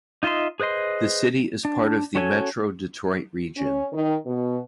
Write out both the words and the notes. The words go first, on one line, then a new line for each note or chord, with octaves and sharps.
The city is part of the Metro Detroit region.
D#4 F4 D#5 E5 C6
G#4 B4 C5 D#5 C6
D4
C#4 F#4 A4 C#5 G#5
C#4
D#3
B2